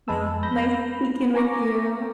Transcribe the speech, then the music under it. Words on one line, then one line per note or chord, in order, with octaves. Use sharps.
Well, nice speaking with you
F2 G#3 B4 A5 E6
B5 G6 A#6
G#5 A#5 C#6 D6 A#6